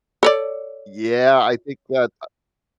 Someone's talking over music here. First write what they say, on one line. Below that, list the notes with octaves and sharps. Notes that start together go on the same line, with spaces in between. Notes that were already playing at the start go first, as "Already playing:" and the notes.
Yeah, I think that, uh
A4 C#5 D5